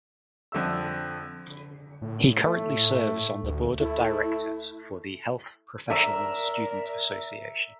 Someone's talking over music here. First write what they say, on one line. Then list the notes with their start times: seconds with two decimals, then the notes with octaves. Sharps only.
He currently serves on the board of directors for the Health Professional Student Association.
0.52 F2 D3 E5 E6
2.02 A2
2.45 A3
3.43 D2
3.80 A3 E4
5.90 A#4 D5 E5 A#5 E6